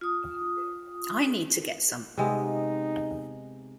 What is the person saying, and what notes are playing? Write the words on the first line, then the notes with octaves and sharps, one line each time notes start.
I need to get some.
F4 D#6
C3 G#3 B3 D#4